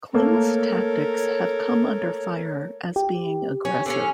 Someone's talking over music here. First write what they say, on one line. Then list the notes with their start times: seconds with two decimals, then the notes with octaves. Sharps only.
Kling's tactics have come under fire as being aggressive.
0.14 A3 A#3 A4 A#4 C#5
2.96 G4
3.65 C#4
3.86 D3 C4 C#4